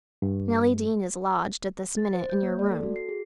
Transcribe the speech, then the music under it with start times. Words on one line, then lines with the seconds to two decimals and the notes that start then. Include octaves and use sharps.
Nelly Dean is lodged, at this minute, in your room.
0.22 G2
1.97 A6
2.14 C5
2.30 G6
2.43 A#3
2.59 D5
2.71 A4
2.83 F#4
2.96 C7
3.09 G#4